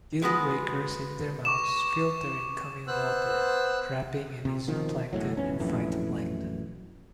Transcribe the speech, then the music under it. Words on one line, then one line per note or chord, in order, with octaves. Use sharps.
Gill rakers in their mouths filter incoming water, trapping any zooplankton and phytoplankton.
G#3 B3 F#4
C#6 D6 E7
B3 C5 E6 F#6
C3
B2 D#3 F3
G1 C#2 A2 F#3
F1 B1 E3 C#4
A#1 F#2 A2 E3